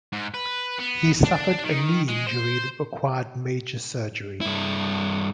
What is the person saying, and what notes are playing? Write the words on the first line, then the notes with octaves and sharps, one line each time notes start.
He suffered a knee injury that required major surgery.
G#2
B4
B3
D4
D#3
G#3
C5
G2 E4